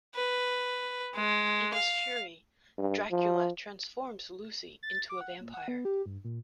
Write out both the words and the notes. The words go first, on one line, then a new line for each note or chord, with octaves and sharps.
In his fury, Dracula transforms Lucy into a vampire.
B4
G#3
F5
G2
F3
A6
D6
F#5
A#2
F#5
B3
G4
G2
A#2